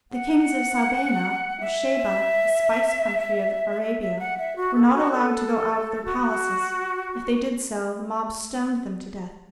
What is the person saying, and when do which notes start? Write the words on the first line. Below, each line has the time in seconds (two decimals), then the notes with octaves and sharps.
The kings of Sabaea or Sheba, the spice country of Arabia, were not allowed to go out of their palaces; if they did so, the mob stoned them to death.
0.12 F#5
1.60 E5
3.82 E5
4.01 E5
4.19 F#5
4.38 E5
4.56 F#4
4.75 A4
4.94 F#4
5.12 A4
6.05 F#4